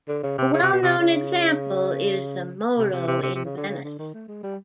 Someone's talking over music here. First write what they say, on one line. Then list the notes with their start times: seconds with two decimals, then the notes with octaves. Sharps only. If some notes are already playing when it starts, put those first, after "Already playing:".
A well-known example is the Molo in Venice.
0.08 D3
0.23 C#3
0.38 C3
0.53 C#3
0.63 C3
0.72 B2
0.82 C3
0.98 C#3
2.78 C3
2.93 C3
3.08 C3
3.23 C3
3.35 C3
3.45 C#3
3.57 D3
3.68 C#3
3.84 D3
3.99 D#3
4.14 A3
4.28 G#3
4.43 G3